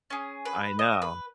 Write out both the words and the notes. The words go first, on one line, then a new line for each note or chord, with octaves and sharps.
I know.
C#4 G#4
B4
D#5
B4